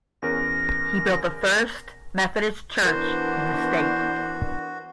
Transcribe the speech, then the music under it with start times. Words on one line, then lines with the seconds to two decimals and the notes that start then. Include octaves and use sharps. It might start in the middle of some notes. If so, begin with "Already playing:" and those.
He built the first Methodist church in the state.
0.22 E2 C#4 A#4 A#6
2.85 E3 B3 D4 F#4 A#4 C5 F#5